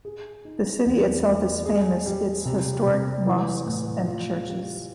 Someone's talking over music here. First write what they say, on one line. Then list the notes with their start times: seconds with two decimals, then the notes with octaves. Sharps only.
The city itself is famous its historic mosques and churches.
0.05 G#4
0.45 D#4
0.86 E2
1.25 A3
1.66 G#4
2.06 G3
2.45 C3
2.86 C3
3.26 E3
3.66 A2
4.06 F4
4.47 G3